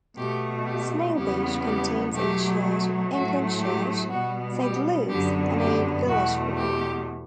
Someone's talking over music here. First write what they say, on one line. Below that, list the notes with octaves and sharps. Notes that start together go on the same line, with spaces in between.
Snailbeach contains a Church of England church, Saint Luke's, and a village hall.
B2 A3 G4
G4
E2 C#3 G3 B3 G4
G4
B2 F#3 A3 G4
A2 F#3 A3 F#4
G4
B2 G3 B3 F#4
G4
F#2 D3 F#3 B3 G4
G4
E2 B2 A3 F#4
G4